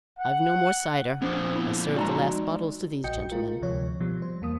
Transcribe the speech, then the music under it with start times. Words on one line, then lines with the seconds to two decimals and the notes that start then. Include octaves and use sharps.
"I've no more cider; I served the last bottles to these gentlemen."
0.19 F#5
1.22 F2 A#2 B3 D4 C5
1.56 B3 E4
1.96 G#3 D#4 F#4 D5 A5 A#5
3.04 A#1 F#4 D#5 G5 G6 C#7
3.31 G#3 F4 A#4
3.62 D2 C3 F3 C#5
4.00 B2 F3 G3
4.22 C5
4.42 E2 A#3 D#6